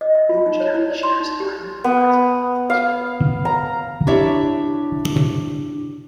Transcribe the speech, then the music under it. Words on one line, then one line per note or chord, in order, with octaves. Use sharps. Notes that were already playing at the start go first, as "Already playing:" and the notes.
The Orange County Sheriff's Department provides law enforcement.
D#5
E5
F4
D#4
C#5
E4
D5
C6
D#4
G4
B3
F5
A#5
D4 E4 G4 C#5 E5